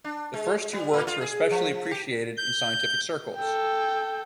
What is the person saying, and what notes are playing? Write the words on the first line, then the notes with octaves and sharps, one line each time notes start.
The first two works were especially appreciated in scientific circles.
D4
G#3
G3
A2
F4
G#4
F3
G4
G6
A4 G5